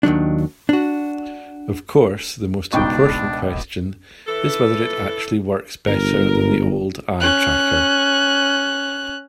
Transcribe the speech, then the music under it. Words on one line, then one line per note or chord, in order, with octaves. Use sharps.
Of course, the most important question is whether it actually works better than the old eye tracker.
D#2 D#3 F#3 D4
D4 F#4
C#2 B2 D4 D#4 G5 C#6 D6
E3 A4
G1 A#4
C#4 F#6